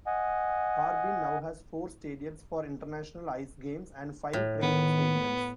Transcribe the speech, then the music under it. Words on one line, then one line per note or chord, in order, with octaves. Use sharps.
Harbin now has four stadiums for international ice games and five training stadiums.
D#5 F#5 G#5
A2
D#3 B3